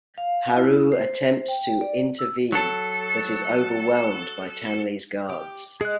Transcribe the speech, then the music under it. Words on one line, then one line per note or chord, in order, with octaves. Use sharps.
Haru attempts to intervene but is overwhelmed by Tanley's guards.
F5
E4
C5
G5
D5
E6
F#3 A4
G4
G#3 G#4 F#6